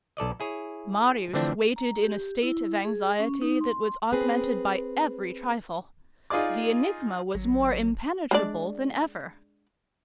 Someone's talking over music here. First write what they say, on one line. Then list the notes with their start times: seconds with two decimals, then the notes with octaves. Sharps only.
Marius waited in a state of anxiety that was augmented by every trifle. The enigma was more impenetrable than ever.
0.17 B1 A4 D5 D#5
0.40 E4 G#4 C#5
1.33 D3 E3 F3 A3 C4 D4
1.76 A#5
2.03 G4
2.43 E4
2.85 G#4
3.19 C#4
3.42 D#4
3.61 C6
4.13 C4 G#4 B4
6.30 D#4 F4 G#4 D5 D6
7.35 G#1 F#3
8.31 G#3 D4 D5